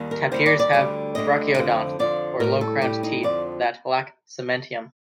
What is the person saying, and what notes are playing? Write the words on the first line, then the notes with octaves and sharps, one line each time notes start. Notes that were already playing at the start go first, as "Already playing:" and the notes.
Tapirs have brachyodont, or low-crowned teeth, that lack cementum.
Already playing: D#2 D#3 G3
A#4
D#2 D#3 G3 C5
D5
D5
D2 D3 G3
D2 D3 G3 D#5
F2 D3 F3
F2 D3 F3 D5
A2 G3 A#4
A4
A2 G3 G4
D#4
F2 D3 F3 D5